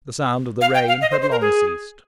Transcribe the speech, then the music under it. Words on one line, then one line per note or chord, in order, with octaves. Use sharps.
The sound of the rain had long ceased.
F5
G5
F5
D#5
C5
C5
A#4
G#4